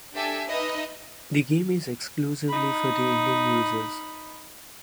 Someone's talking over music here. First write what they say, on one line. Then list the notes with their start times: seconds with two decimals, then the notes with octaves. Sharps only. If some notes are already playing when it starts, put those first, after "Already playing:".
The game is exclusively for the Indian users.
0.14 D4 G4 A4 E5 G#5
0.49 D#4 B4 D#5 E5
2.48 D#4 B5